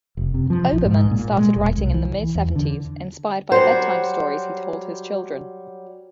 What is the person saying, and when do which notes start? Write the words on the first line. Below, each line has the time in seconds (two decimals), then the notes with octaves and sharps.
Oberman started writing in the mid-seventies, inspired by bedtime stories he told his children.
0.17 F1
0.34 C3
0.50 F3
0.72 A#1
0.86 G#2
1.11 A#2
1.38 G#3
1.56 E1
1.78 C2
1.94 E3
2.35 E2
2.55 D3
3.52 F#3 G3 C5